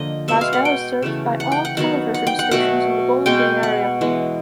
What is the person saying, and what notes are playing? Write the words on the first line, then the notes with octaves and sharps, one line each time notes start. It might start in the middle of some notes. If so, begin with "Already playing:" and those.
Glasgow is served by all television stations in the Bowling Green area.
Already playing: D3 F3 A#3 D#5
B2 G#3 B3 E5
F5
F#5
G5
C#3 E3 A3
F#5
G5
F#5
D#3 F#3 B3 F#5
F#5
G5
F#5
B2 F#3 A3 F#5
B2 G#3 B3 G5
F#5
E3 G#3 B3